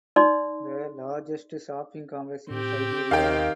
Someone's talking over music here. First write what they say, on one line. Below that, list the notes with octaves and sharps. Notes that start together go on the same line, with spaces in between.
The largest shopping complex in Siberia.
D#4 D5 C6
A2 C4 G4
D#2 D#3 F5 G5